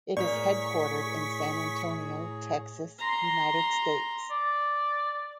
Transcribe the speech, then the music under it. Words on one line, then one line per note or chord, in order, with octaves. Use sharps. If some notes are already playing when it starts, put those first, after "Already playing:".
It is headquartered in San Antonio, Texas, United States.
A2 G#4 A#4 C#5 D5 C#6 B6
A#5 C6
D5